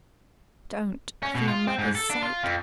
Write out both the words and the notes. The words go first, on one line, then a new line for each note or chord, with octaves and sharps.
Don't, for your mother's sake.'
C#4
B2
F4
C4
G#2
A4
D4
F4
F2